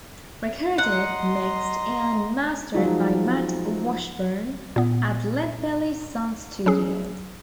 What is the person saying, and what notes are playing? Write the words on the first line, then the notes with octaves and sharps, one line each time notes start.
Recorded, mixed, and mastered by Matt Washburn at LedBelly Sound Studio.
D#5 F#5 A#5 C6
F3 F#3 G#3 D#4
A#2 B3
F#3 C#4 G#4